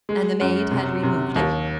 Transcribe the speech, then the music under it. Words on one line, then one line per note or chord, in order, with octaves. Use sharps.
"And the maid had removed it?"
G#3
F#2
C3
C3
D#2